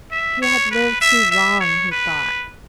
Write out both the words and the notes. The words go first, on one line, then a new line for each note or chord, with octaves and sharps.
He had lived too long, he thought.
E5
C#5
B4
E5
E5
C#5
B4